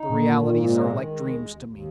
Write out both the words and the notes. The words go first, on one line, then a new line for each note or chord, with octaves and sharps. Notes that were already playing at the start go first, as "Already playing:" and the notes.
The realities are like dreams to me.
Already playing: D#4
A#2 D#3
G#2
G#2
G#3
D#3
G#3
D#2
D#2
D#2